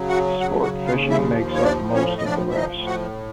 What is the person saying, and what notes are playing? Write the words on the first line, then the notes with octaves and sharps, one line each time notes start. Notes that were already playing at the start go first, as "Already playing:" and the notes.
Sport fishing makes up most of the rest.
Already playing: C#3 F#3
F#4 F#5
C#3 F#4 F#5
F#4 F#5
D#2 F4 F5
E4 E5
F3
C#5
D4 D5
A2
C#4 C#5
D#5
F3 D4 D5
E5
D#4 D#5
A2
F#4 F#5